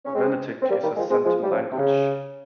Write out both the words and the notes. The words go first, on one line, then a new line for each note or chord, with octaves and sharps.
Venetic is a centum language.
C#4
G#3 C4
C4
G3 A#3
D#3 G3
F3 G#3
G#3 C4
F3 G#3
G3
C#3 F3
C3
C#3